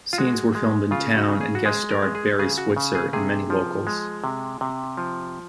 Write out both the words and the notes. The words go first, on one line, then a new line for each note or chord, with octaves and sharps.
Scenes were filmed in town and guest starred Barry Switzer and many locals.
F4
G#3 F#4
G#3
C#3 F4
F#4
C#3
G#4
F#4
G#3 G#4
A#4
G#3
G#4
C#3 G#4
F#4
C#3
G#4
C3 G#4
F3
G#3
C3
C3
F3